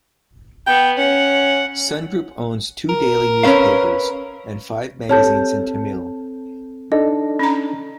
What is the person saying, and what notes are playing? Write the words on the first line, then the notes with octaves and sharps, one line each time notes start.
Sun Group owns two daily newspapers and five magazines in Tamil.
B3 G5
C#4 F#5
A#4
C4 C#4 B4 C#5 F5
C4 G4 A4 C#5 A5 G6
D4 D#4 A4 D#5
C#4 A#5